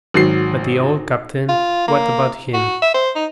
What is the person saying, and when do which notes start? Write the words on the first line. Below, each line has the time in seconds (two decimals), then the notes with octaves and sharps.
But the old captain, what about him?
0.14 G#1 F#3 C7
1.49 F4
1.88 A#3
2.54 F#4
2.82 E5
2.94 C5
3.15 D#4